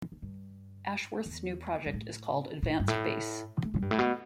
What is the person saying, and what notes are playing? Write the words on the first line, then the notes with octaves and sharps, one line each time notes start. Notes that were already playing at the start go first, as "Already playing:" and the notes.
Ashworth's new project is called Advance Base.
E2
G2
E2
G2
A2
A2
G2
A2
A3
G3
G2
A2
B2